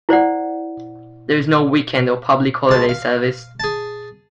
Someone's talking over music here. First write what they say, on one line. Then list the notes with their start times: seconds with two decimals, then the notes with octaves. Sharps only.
There is no weekend or public holiday service.
0.09 E4 C5 D5 F#5
2.69 C#2 A5
2.89 F5
3.60 G#4 A5